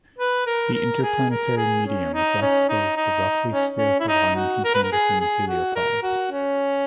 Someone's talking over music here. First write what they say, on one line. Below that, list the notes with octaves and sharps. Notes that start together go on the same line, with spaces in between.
The interplanetary medium thus fills the roughly spherical volume contained within the heliopause.
B4
A#4
A#4
G#4
A#4
G#4
C#4
D#4
C#4
D#4
D#4
C#4
C#4
E4
D#4
F#4
A#4
B4
A#4
G#4
G#4
F#4
A#4
F#4
C#4